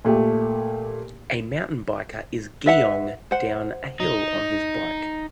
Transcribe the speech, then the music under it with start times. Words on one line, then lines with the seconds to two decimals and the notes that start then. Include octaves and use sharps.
A mountain biker is giong down a hill on his bike.
0.05 A#2 A3 G4
2.66 B4 E5 F#5
3.31 C5 F#5
4.00 D#4